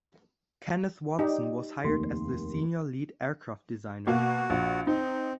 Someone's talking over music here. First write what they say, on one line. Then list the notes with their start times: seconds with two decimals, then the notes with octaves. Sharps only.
Kenneth Watson was hired as the senior lead aircraft designer.
1.19 D#4 G4 D5 D#5
1.83 F1 D#2 C6
4.07 B2 A#3 F#4
4.50 A#1
4.87 C4 D#4